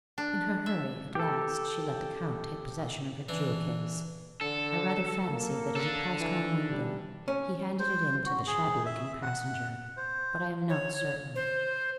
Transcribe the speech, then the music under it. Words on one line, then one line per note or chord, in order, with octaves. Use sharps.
In her hurry, at last, she let the Count take possession of her jewel-case. I rather fancy that as he passed one window he handed it in to the shabby-looking passenger; but I am not certain.
D4
E5
G4 A4
E3 D4
D3 A4
A#3
D4 A4
E3
G3
C#4
C5
F#4
G#4
E5
F#5
C5
C#5
C5